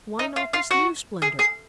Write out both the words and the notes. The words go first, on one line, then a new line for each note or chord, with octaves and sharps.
Why not this new splendor?
D#4
F4
F4
F#4
G#4
G#4